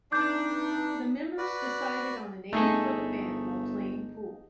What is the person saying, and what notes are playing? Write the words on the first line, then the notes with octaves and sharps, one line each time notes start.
The members decided on a name for the band while playing pool.
E3 C4 D4 D#4 D6 G6
F#4 B4 D5
G1 A3 D#4 G#4 A4